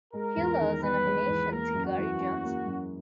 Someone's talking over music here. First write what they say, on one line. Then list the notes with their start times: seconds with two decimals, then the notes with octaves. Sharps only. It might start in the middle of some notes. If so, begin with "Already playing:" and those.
He lost the nomination to Gary Johnson.
0.13 G#3 A#4
0.37 E2
0.59 D#3
0.83 B3 B4
1.05 G#3
1.29 E2
1.51 A#3 A#4
1.74 F#2
1.85 F#4
1.98 E3
2.20 C#4
2.43 A#3
2.66 F#2